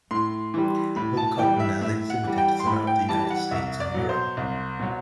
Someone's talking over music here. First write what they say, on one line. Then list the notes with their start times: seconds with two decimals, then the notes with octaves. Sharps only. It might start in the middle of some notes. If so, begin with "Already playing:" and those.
Will Cotton has exhibited throughout the United States and Europe.
0.11 A2 C6
0.54 E3 G3
0.96 A2 B5
1.17 A5
1.39 E3 G3 G5
1.60 E5
1.81 A2 E5
2.10 F#5
2.23 E3 G3
2.38 G5
2.60 C6
2.66 A2 B5
2.87 G5
3.09 E3 G3 A5
3.30 F#5
3.51 C2 E5
3.80 D5
3.94 B2 F#3
4.09 C5
4.37 C2
4.79 B2 F#3